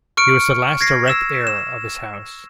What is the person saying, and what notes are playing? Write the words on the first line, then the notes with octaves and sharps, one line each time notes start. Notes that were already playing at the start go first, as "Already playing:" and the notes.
He was the last direct heir of his house.
C#6 F6 C#7 D7
G#6 A#6 C7
E6 E7
E7